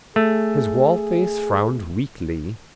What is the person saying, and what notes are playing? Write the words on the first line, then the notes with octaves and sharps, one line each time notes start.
His wallface frowned weakly.
A3 G#4